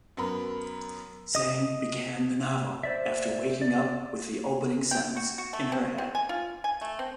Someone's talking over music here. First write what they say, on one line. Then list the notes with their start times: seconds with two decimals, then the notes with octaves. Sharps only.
Zhang began the novel after waking up with the opening sentence in her head.
0.17 F#2 B3 A#4 B5
1.35 D#5 D#6
2.83 C5 D5 E5
3.61 D5
4.91 G5
5.16 F#4
5.38 F#4
5.53 A3
5.72 C4
5.98 C4
6.15 G#5
6.29 F4
6.64 G#5
6.81 A3
6.99 C4